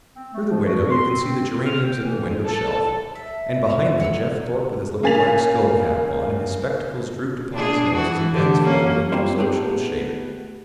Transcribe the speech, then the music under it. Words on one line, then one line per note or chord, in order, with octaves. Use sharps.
Through the window you can see the geraniums in the window shelf and behind them Jeff Thorpe with his little black scull cap on and his spectacles drooped upon his nose as he bends forward in the absorption of shaving.
C4
A3
F3
F#4
C6
C4
F6
G5
E3
A4
E5
F#5 G#5 A#5 E6
C#3 A#3 G#5 A6 B6 F7
D4 G#4
E3 F#4
D3 G4
A#3 C#4
G3 C4 F4 C5 C#5
A3 B3 D#4 G4 G#4